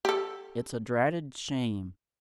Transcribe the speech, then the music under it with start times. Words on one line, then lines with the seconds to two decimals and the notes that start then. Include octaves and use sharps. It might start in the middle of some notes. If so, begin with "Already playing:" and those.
It's a dratted shame!
0.05 G4 A4